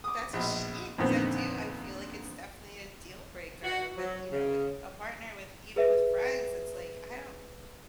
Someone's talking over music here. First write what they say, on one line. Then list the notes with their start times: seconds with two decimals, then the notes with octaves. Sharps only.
That's a shame 'cause I do I feel like it's definitely a deal breaker with you know, with a a partner, with even with friends, it's, like, I don't
0.04 D6 D#6
0.33 A#1 B2
0.98 F2 A#2 D3 D#3 B3 C4
3.64 F#4
3.97 F#3
4.32 C#3
5.76 G#4 B4 E5